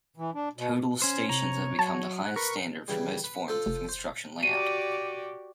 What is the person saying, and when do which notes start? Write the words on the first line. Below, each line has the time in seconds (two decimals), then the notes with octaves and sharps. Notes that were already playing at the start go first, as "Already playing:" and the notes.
Total stations have become the highest standard for most forms of construction layout.
0.18 E3
0.35 D4
0.57 B2
1.02 C#4 C5
1.29 C3 C#5 A#5
1.79 F#3 A5
2.25 F#5
2.36 A#4 B4 C#6
2.88 C#3 E3 G3
3.24 B4
3.48 F4 A4 C5
3.66 F1
3.89 C5
4.43 F#4 G4 D5 D#7